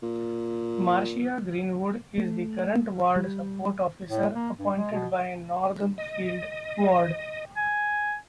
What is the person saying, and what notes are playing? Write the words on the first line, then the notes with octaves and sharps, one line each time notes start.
Marcia Greenwood is the current Ward Support Officer, appointed by Northfield Ward.
A#2
A3
G3
A2
A#3
G2
G#3
B2
D#5
G#5